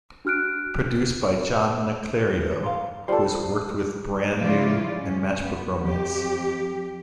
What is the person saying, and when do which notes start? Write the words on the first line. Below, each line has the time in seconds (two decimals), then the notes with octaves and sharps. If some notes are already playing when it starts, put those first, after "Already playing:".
Produced by John Naclerio, who has worked with Brand New and Matchbook Romance.
0.25 D4 F#4 F6 F#6 D7
2.64 F5 C6
3.08 G3 F4 A4 C5
4.39 C#3 F3 G#3 E4 F4 D5
4.97 C#4
5.42 B3
5.81 F2 G4